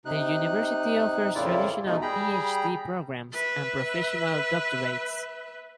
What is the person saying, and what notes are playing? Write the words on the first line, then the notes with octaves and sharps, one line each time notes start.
The University offers traditional Phd programmes and Professional Doctorates.
C3 D#4 F#6
F2 A#2 C#3 E4 F4 D5
E2 B2 G#3 A3 D#4
G3 G#4 G5 A#5 B5
B4 E5